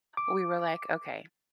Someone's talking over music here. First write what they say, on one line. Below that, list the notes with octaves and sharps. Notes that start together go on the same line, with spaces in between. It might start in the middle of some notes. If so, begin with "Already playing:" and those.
we were like, "Okay.
D6